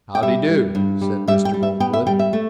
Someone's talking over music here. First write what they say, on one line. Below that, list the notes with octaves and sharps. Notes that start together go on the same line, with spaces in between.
"How dee do," said Mr. Boltwood.
G5
G3 E5
G3
G2
G3
G3 E5
G5
G3
E5
B3 G5
E5
G3 G5
E5
A3